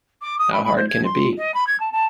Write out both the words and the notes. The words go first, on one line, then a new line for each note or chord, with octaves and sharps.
How hard can it be?
D6
D#6
B5
B5
C5
G#6
C6
D#5
B5
G#6
A5
A5